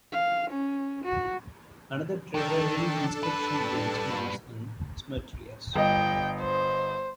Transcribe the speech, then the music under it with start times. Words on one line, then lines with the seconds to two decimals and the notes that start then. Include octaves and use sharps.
Another Treveran inscription links Mars and Smertrius.
0.13 F5
0.51 C#4
1.05 F#4
2.35 D#3 D4 A4 A5
3.23 G3 B4
5.76 G1 D#5 G5
6.42 C5